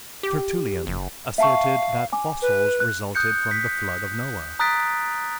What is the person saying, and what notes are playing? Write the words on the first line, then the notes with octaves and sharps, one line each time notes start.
Tertullian asserted that fossils resulted from the flood of Noah.
G4
F#1
E5 F5 A5 C#6
G#5 D6
B4
F#6
D#6 F#6 G6 C#7
B6
A#5 D#6 F#6 A6 B6 D7